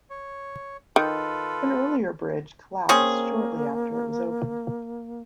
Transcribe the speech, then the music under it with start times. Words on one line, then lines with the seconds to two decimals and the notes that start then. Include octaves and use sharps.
An earlier bridge collapsed shortly after it opened.
0.10 C#5
0.96 D#3 F4 A4 B4
2.89 A#3 C4 C#4 G#4